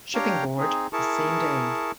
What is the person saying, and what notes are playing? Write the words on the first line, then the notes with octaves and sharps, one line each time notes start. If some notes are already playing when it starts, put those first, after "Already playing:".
Shipping Board the same day.
D4 G4 C#5 F5 G5 A#5
C4 D#4 G#4
E4 G#4 A#4 A5 C#6